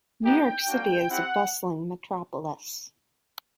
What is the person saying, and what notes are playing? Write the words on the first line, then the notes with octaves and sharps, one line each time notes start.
New York City is a bustling metropolis.
B3 D#4 G4 G5
G3 A#3 D4 F#4
C4 E4 G4 F#5